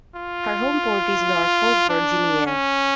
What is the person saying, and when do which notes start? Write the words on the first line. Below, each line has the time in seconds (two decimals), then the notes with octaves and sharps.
Her home port is Norfolk, Virginia.
0.16 F4
1.89 D4
2.47 C#4